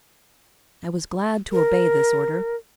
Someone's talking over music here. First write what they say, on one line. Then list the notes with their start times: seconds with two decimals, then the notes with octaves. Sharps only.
I was glad to obey this order.
1.52 A#4